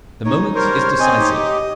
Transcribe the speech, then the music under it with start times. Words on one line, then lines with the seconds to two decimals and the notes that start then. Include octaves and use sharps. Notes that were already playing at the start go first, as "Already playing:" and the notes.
The moment is decisive.
0.25 D#4 C#5
0.55 G3 A#4 C5 C#5
1.00 C4 D#5 G#5
1.18 D#4 G4